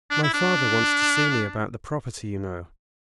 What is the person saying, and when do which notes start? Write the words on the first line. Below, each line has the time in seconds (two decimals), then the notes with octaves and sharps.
"My father wants to see me about the property, you know."
0.11 D4
0.23 E4
0.33 D4